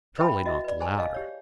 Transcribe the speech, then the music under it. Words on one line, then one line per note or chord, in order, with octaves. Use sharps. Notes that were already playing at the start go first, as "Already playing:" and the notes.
Surely not the latter!
B4 C5 E5 G5 A5 B5
F#4 D#5 E5
B4 D5
G#4 C5 G#5 A5
G#4 D#5 F5
G4 C#5